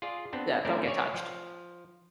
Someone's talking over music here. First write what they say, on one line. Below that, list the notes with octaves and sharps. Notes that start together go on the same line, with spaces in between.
that don't get touched.
F4 G#4 D5
B3 C4 D4
A3 C4 C#4 E4 A#4 D5
C#5 D5 G#5
F3